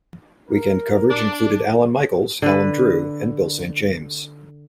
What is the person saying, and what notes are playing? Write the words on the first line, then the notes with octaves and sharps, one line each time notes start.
Weekend coverage included Allan Michaels, Alan Drew and Bill Saint James.
A#4
D4
D3 B4